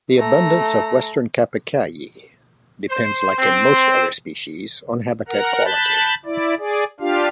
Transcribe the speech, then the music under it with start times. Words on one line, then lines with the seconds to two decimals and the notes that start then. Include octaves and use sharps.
The abundance of western capercaillie depends-like in most other species-on habitat quality.
0.19 A3 A#5
2.89 C5
3.38 C4
5.28 A#4 F#5 A#5
5.65 A5 B5 F#6 G6 A6
6.25 E4 D5
6.59 G#4 D5
7.00 D4 F4 G4 F5